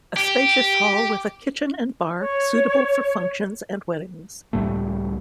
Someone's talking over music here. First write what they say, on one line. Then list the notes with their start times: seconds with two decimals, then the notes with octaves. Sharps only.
A spacious hall with a kitchen and bar, suitable for functions and weddings.
0.17 G4
2.20 C#5
4.53 C#2 A2 G3 A3